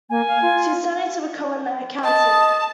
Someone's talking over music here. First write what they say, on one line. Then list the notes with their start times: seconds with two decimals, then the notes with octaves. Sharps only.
She studied to become an accountant.
0.10 A#3 G#5
0.28 F5
0.42 F4
2.04 D#5 A5